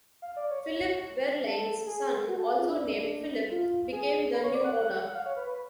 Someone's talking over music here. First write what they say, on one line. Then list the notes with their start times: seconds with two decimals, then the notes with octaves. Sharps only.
Philip Werlein's son, also named Philip, became the new owner.
0.22 F5
0.36 D5
0.50 C#5
0.64 C#5
1.46 A4
1.86 G#4
2.28 F#4
2.38 A4
2.48 G#4
2.58 F4
2.69 D4
3.51 F4
3.92 G#4
4.33 B4
4.43 C#5
4.54 D5
4.64 F#5
4.75 F#5
5.06 F#5
5.15 F5
5.26 C#5
5.36 B4
5.47 B4